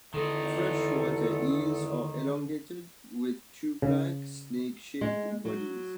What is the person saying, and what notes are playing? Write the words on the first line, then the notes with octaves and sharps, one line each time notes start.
Freshwater eels are elongated with tubelike, snake-shaped bodies.
E2 D3 D#3 G#3 A4
C#3
G#3
F#3